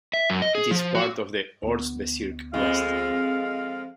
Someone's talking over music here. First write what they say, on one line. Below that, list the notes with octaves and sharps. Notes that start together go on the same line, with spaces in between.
It is part of the "Ortsbezirk West".
E5
F#2
D#5
G#4
F3
F#4
D2 B3
F2 G#3 F5